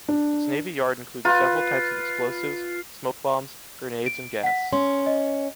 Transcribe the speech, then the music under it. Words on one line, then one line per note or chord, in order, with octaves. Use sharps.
Its navy yard includes several types of explosives, smoke bombs, grenades and gas.
D4
F4 B4
D7
F#5 B6
C#4 C6
D#5